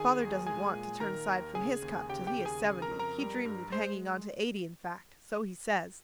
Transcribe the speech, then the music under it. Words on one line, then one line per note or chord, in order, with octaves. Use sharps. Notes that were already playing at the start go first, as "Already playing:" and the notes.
Father doesn't want to turn aside from his cup till he is seventy, he dreams of hanging on to eighty in fact, so he says.
Already playing: D#3 G#4 G#5
D#2
G#3 G#4 G#5
A#2
D#3 A#4 A#5
D#2
C#3 G#4 G#5
D#2
C#3 G4 G5
G4 G5
D#2
G#4 G#5
C#3 G#4 G#5
A#4 A#5
F2
A#4 A#5
G3
G2
G#3 C5 C6